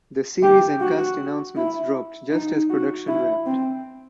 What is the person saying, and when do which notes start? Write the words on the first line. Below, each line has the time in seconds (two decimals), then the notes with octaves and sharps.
The series and cast announcements dropped just as production wrapped.
0.43 G4
0.81 F#4
1.56 E4
2.32 D#4
2.70 F#4
3.08 E4
3.46 C4